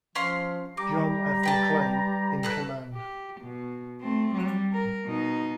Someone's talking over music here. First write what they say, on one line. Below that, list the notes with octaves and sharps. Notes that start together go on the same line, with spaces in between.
John F. McClain in command.
F3 C#4 F5 C6
G3 G4 A#5 D6
B4 G5 A5
A4 B4 F#6
G4
B2
A3 C4
G3
A#4
B2 D#4